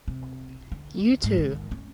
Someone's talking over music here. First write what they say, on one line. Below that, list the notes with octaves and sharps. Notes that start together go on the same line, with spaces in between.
You too.
C3
D3
G#2
D#3
C#4